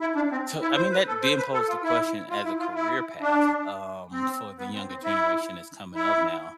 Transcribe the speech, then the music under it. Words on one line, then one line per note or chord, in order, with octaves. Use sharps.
So, I mean that then pose the question as a career path, um, for the younger generation that's coming up now,
E4
D4
C4
E4
C5
B4
A4
C5
B4
A4
F4
E4
F4
E4
F4
E4
D4
C4
B3
C4
C4
E4
E4